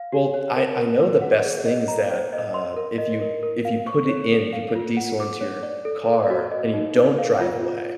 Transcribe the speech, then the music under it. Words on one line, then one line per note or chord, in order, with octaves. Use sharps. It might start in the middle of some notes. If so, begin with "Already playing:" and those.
Well, I I know the best thing's that, uh, if you if you put it in, if you put diesel into your car and you don't drive away,
Already playing: F5
G4
C#5
A#4
A#4
B4
F#5
G#4
D#5
A#5
C5
D#5
C6
A#4
D#5
A#4
A#4
F5
C#6
C#5
A4
F5
F4
F#5
D6
C#5
D5
A4
A4
F#4
D#5
D#4
A#4
F5
F4
F4